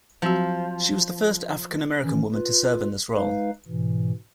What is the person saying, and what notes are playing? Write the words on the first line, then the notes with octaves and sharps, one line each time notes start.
She was the first African American woman to serve in this role.
F3 F#3 C4 F#4
D#3 E3 C#4
F4 B4
G#3 D#4 B4 F5
G#2 B2 E3